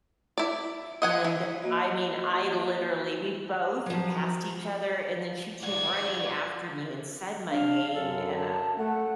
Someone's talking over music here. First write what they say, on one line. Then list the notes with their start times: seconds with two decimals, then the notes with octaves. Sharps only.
And, I mean, I literally we both passed each other, and then she came running after me and said my name, and,
0.38 E4 D5
1.02 D#5 F#5 G#5
1.24 E3
1.62 A#3 F#4 D#5
3.86 F3 F#3
5.63 F4 D5 F#5 G#6
7.50 D4 F5
7.94 F#2 A4
8.35 A5
8.78 A3 F#5